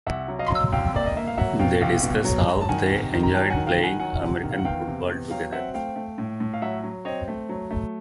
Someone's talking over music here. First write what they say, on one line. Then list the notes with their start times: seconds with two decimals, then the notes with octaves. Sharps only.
They discuss how they enjoyed playing American football together.
0.07 C2 E5 F#5
0.28 F#3
0.39 D#5 F5
0.50 F#3
0.72 C2 F5 G5
0.94 A#3 D5
1.06 D#5
1.16 A#3 E5
1.27 F5
1.38 F#3 E5 F#5
1.59 B2 F5 G5
1.81 C2 F5 G5
2.03 B2
2.24 F#3
2.47 F#3
2.61 A5
2.69 D#3 F#5 G#5
2.90 C3
3.13 D#3
3.23 A#5
3.34 F#3 G5 A5
3.50 F#5 G#5
3.56 D#3
3.67 F5 G5
3.78 D#3
3.83 F#5 G#5
4.00 F#3 F#5 G#5
4.21 C3
4.43 D#3
4.51 F5
4.58 F#5
4.65 E2 F5 G5
4.87 C3
5.09 E2
5.31 F#3 F5 G5
5.52 C4 E5 F#5
5.74 A3 F5 G5
5.96 A3
6.18 A2
6.40 A2
6.54 F5
6.62 F#3 E5 F#5
6.84 F#3
7.05 C4 C#5 D#5
7.28 A3
7.49 F#3
7.71 A3